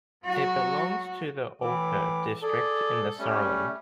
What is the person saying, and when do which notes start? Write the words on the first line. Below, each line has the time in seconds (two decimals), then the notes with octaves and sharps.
It belongs to the Olpe district in the Sauerland.
0.24 F#3 F#4
1.61 A2 E3 D6
2.42 G#4 A4 D5
3.19 G3 A3 C#4